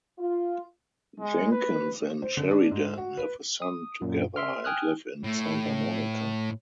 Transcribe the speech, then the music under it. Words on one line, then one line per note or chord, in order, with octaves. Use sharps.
Jenkins and Sheridan have a son together, and live in Santa Monica.
F4
G#3
B4
C5
D3
D4
G#2
F#4
B4
D#6
F#2 A#2
E5 C6 F6
G5 G#5 D#6 F6 F#6
A2